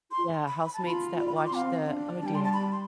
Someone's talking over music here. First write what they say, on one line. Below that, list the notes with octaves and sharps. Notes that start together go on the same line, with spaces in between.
yeah, housemates that watched the oh dear,
C6
B5
B5
A5
F4 B5
F4 D5
B5
D6
C6
C4 F5
D4
A5
G3 G5
C6
A5
B5
C6